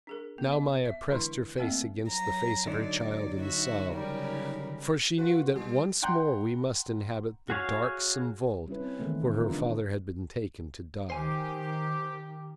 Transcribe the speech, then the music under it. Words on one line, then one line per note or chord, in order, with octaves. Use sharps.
Now Maya pressed her face against the face of her child and sobbed, for she knew that once more we must inhabit the darksome vault where her father had been taken to die.
D4 G#4 A#4
B3
D#5
E5
D3 E3 G#3 D4 E4 C6
A3 A#3 C4 A4 D#5 G5
F#3 A#5
D3 F#3 D#4 D5
F#4 E5
C#3 G3 A#4
F4 F#4 B4
G3
F#5 G5 A#5 C6 F#6 G6
F#4 G#4 C#5 F5
G3 C#4 E4 B4
C4
D#3 E3 G#3 A3 B3
C#3 D#4
D#4 F4 A#4 B4
G3 D4
D#3 G4 C5 G#5